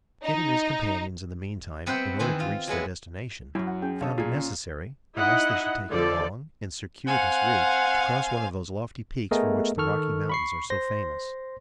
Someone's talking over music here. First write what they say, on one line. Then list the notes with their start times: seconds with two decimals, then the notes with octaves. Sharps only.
Kit and his companions in the mean time, in order to reach their destination, found it necessary, unless they should take a long and circuitous route, to cross one of those lofty peaks for which the Rocky Mountains are so famous.
0.24 D#4
1.86 B3 C4 B4 E5 F#5 G5
2.19 D#3 E3 C4
2.40 F4
2.67 F#3 G#3 B3 E4
3.55 F#2 F#3 E4
3.67 F#5
3.82 C#4 G#4 G5
4.01 D3 C#5 E5 F5 A5 D#6
4.18 B1 A#2 G#4
4.36 C#4 C6
5.16 D#4 E4 D#5 F#5
5.91 D3 F3 A4 D5
7.07 C4 F5 F#5 G#5
9.31 A3 B3 G#4 A#4 D#5
9.78 D#3 A4 C#6 F6
10.29 B5 C#6 C7
10.70 C5 C6 A#6